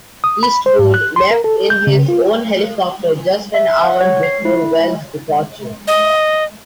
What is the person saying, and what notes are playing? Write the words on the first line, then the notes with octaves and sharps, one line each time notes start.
Eastwood left in his own helicopter just an hour before Wells' departure.
D#6
B5
C5
G#2
F#6
C6
A#4
A4
G6
C#3
F4
E5
F#5
C#5
C7
E4
D#5